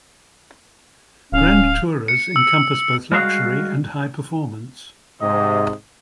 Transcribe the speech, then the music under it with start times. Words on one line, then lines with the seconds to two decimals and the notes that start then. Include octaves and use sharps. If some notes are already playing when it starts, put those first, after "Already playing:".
Grand Tourers encompass both luxury and high-performance.
1.32 D1 C#4 F5
2.08 C#7
2.36 E6
3.12 G3 G#3 F#4 F5
5.21 G#2 C3 D#5